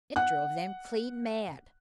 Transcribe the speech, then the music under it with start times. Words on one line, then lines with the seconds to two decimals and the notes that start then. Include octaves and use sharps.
It drove them clean mad.
0.16 F#5 F#6